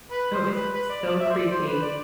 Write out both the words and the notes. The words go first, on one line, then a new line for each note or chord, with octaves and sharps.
It was so creepy,
B4
C5
B4
B4
D5
D5
E5
C5
D5
C5
B4
D5